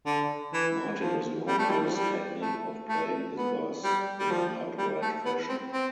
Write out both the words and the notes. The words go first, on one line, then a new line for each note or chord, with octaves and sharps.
Martin was known for his technique of playing his bass in an upright fashion.
D3
E3
F3
G3
A3
G3
F3
G3
A3
A3
B3
G3
G3
F3
G3
A3
B3
C4
C4